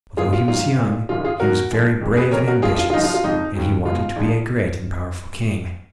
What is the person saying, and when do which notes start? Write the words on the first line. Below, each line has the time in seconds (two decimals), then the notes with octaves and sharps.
But although he was young, he was very brave and ambitious, and he wanted to be a great and powerful king.
0.17 C#2 B2 G#3 F4 G#4
0.33 F4
0.48 G#1 G#2 F#3 F4
0.78 B1 A#2 G#3
1.09 F#1 F#2 D#3 F4
1.25 F4 G#4
1.40 C#2 B2 F#3 F#4 A#4
1.71 G#1 F#2 F3 G#3
2.01 F2 C#3 G#3
2.17 G#4 B4
2.32 F1 F2 C#3 A#4 C#5
2.47 F#4 A#4
2.62 F1 F2 F3 G#3 F4 G#4
2.78 F4
2.90 F4
2.94 F#1 F#2 F3 D#4
3.04 F4
3.14 F4
3.24 F#1 F2 F3 G#3 D#4
3.55 D#2 C#3 F#3
3.86 C#2 B2 G#3 F4
4.16 A#1 G#2 F3 G#3